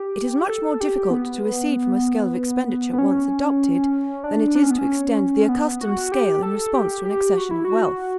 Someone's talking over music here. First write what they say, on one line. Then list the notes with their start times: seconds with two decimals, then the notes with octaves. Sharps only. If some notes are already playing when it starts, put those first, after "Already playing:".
It is much more difficult to recede from a scale of expenditure once adopted than it is to extend the accustomed scale in response to an accession of wealth.
Already playing: G4
0.49 A4
0.81 G4
1.11 B3
2.93 B3
2.98 C#4
4.24 D4
4.55 D4
4.63 C#4
4.71 B3
4.78 C#4
5.49 B3
5.81 F#4
6.12 G4
6.43 A4
6.74 G4
7.05 G4
7.37 F#4
7.51 E4
7.65 F#4